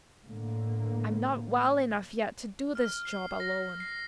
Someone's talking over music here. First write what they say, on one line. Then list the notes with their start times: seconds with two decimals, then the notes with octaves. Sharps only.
"I'm not well enough yet to do this job alone."
0.24 A2 D3 A#3
2.75 F6
3.05 C7
3.40 A#6
3.80 C7